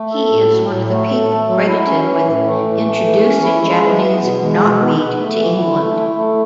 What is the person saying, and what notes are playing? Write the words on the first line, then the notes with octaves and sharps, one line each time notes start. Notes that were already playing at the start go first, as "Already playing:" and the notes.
He is one of the people credited with introducing Japanese knotweed to England.
Already playing: A3
A4
A2
F#3
A2
A3
A4
A3
F#3
E4
C#4
E3
A2
A3
E3
A3
E3
C#4
E4
G#3
E3
B3
B2
G#3
B2
B3
B4
A3
E3
E4
A3
E4
A3